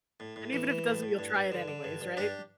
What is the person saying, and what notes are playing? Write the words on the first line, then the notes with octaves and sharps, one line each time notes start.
And even if it doesn't, you'll try it anyways, right?
A2
A2
E3
E3
A2
A2
G2
G2
D3
D3
G2
G2
G2 D4 G4